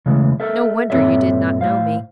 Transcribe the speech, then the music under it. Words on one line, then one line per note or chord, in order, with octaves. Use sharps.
No wonder you did not know me.
C#3 E3 G#3 A3
A4 A#4 E5
G2 A#2 C4 A4 C#5 E5
A2 C5 F5